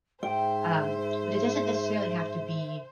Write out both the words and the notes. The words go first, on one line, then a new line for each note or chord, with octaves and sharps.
um, but, it doesn't necessarily have to be,
G#2 C5 E5 G5